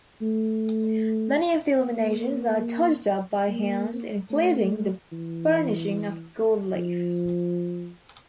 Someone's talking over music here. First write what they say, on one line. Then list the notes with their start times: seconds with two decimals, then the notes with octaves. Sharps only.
Many of the illuminations are touched-up by hand, including the burnishing of gold leaf.
0.22 A3
1.85 A#3
3.49 A#3
4.31 A3
5.12 E3
6.76 F3